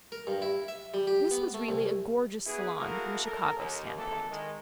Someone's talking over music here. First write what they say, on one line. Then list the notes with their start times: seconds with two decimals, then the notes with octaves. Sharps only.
This was really a gorgeous saloon from a Chicago standpoint.
0.12 A#4
0.27 G2
0.42 E4
0.68 E5
0.94 G3
1.07 G4
1.31 B3
1.54 A3
1.69 C2
2.46 B3 E4 F#4 G#4
2.77 A3 A#3 E4 F#4 G#4 A#4
3.24 A4 A#4
3.57 D#2
3.97 G#1 E3 A#3 A4
4.31 D#3 G#3